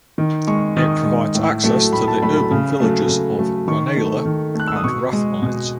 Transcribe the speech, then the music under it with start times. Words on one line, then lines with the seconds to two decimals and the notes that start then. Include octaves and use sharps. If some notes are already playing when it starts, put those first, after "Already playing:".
It provides access to the urban villages of Ranelagh and Rathmines.
0.18 D#3
0.47 G#3 C#6
0.77 D#3 D#6
1.05 G#3
1.35 A2
1.64 F#3 A3
1.93 A2 B5
2.08 A5
2.22 F#3 A3 B5
2.37 B5
2.51 C#3
2.80 F#3 A3
3.09 C#3
3.39 F#3 A3
3.68 D#3 C#6
3.97 A3
4.25 D#3
4.55 A3 F#6
4.68 E6
4.76 D#6
4.84 B2 C#6
5.13 G#3
5.42 B2